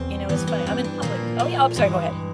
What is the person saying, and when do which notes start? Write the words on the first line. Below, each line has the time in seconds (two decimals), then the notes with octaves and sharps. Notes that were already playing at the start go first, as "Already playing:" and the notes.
You know, it's funny, I'm in public oh, yeah, I'm sorry, go ahead.
Already playing: E2 B2 C4
0.29 G2 E3 B3
0.47 B3
0.67 C4
0.84 D4
1.02 A#2 F3 A#3
1.39 A3
1.76 G2 E3 G#3